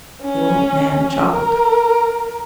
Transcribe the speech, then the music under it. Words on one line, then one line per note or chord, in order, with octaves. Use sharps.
The old man chuckled.
C#4
A#4